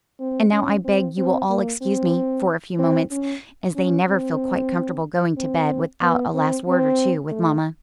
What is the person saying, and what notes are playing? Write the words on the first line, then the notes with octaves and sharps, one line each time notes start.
"And now I beg you will all excuse me for a few moments, as they never feel quite comfortable going to bed without a last word or two with mamma."
C4
C#4
C4
C4
A#3
C4
C4
C#4
C#4
C4
C4
B3
C4
C4
A3